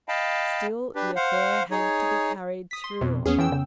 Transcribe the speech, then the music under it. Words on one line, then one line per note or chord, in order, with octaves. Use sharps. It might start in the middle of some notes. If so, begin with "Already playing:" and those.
Still, the affair had to be carried through.
D#5 F5 G5 A5 B5
D4 G4 B4
C5 F5 F#5
D#4 G#4 C#5
D#6 B6
C6
F2 B2
E2 B3 C#4 G#4
F2 E3 G5 E6
C#3